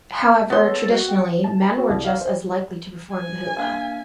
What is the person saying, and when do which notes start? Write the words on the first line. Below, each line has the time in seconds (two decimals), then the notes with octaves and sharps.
However, traditionally, men were just as likely to perform the hula.
0.50 B3 A4 C#5 C6
0.89 F#4
1.08 F#5 G5
1.44 A5
1.62 A#5
1.76 F#4
1.90 C2
2.04 F5
2.20 C5
3.13 G#5
3.58 A#3 D4 F5